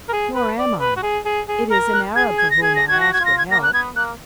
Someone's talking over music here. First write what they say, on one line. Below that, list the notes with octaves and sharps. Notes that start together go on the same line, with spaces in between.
"Nor am I. It is an Arab for whom I ask your help."
A#4
G#4
B4
D5
B4
F#4
G#4
G#4
G#4
A#4 A#5
F#6
G#4 G#6
G#6
A#6
G#4 G#6
A#6
F#4 G#6
A#6
F#4 G#6
F4
A#6
G#6
A#3 A#6
F#6
B3 G#6
A#3 F#6